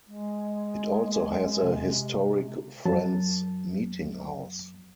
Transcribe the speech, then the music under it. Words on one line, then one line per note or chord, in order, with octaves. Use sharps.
It also has a historic Friends Meetinghouse.
G#3
C3
F#2 F#3 A5